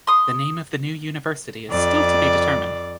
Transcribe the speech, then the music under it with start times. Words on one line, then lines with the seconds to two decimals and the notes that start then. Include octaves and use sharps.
The name of the new university is still to be determined.
0.07 C6 D#6
1.70 F2 D5